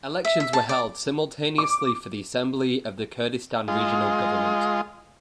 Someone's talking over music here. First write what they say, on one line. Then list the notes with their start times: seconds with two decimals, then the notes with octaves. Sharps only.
Elections were held simultaneously for the assembly of the Kurdistan Regional Government.
0.25 E5
0.40 E5
0.53 A5
0.69 D5
1.58 D6
3.68 G#3 F4 D#5